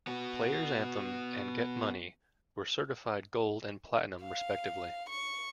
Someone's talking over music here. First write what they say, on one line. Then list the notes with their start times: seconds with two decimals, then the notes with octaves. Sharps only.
"Player's Anthem" and "Get Money" were certified Gold and Platinum respectively.
0.07 B3 F#4
4.23 F5
5.09 C#6